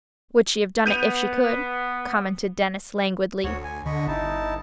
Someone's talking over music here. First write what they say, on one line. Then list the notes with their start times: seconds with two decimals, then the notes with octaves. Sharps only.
"Would she have done it if she could?" commented Denis, languidly.
0.86 B3 G6 D#7 F7
3.44 D2 F#4 C#5
3.64 G#5
3.86 D3 D#5 B5 C#6
4.08 G1 D#4 E4 A5